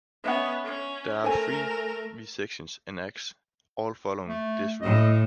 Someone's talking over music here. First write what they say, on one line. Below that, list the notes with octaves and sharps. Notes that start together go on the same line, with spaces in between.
There are three "we sections" in "Acts", all following this rule.
B3 C#4 D#5 E5 F#5
C#4
A3 A4 A#4 C5 G#5
A3
A2 D#5